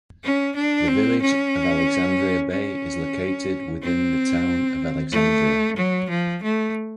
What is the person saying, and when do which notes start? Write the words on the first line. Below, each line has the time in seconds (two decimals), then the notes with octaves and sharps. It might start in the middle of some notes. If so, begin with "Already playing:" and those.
The Village of Alexandria Bay is located within the Town of Alexandria.
0.24 C#4
0.56 D4
0.88 C4
1.22 C#4
2.51 C#4
3.82 C4
5.12 A3
5.77 F#3
6.10 F3
6.43 A3